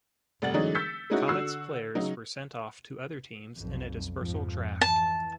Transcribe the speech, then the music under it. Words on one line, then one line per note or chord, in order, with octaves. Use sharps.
Comets players were sent off to other teams in a dispersal draft.
F1 G3 F#5 A6 F#7
D3 E3 F#3 G#3 C#4 D#4
E6 G6 A6 B6 C#7
G#3 C#4 D#4 E4 F#4
D3 F#4 E6 C7
C#3 F#3 D#4
B1 F2
F2 G#2 F3
E3 A5